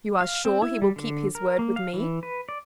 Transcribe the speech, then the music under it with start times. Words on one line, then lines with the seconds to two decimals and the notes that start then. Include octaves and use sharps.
"You are sure he will keep his word with me?"
0.21 F5
0.45 C4
0.62 E4
0.82 G3
0.96 D3
1.35 A#4
1.59 A#3
1.76 F5
1.94 E3
2.23 B4
2.49 D5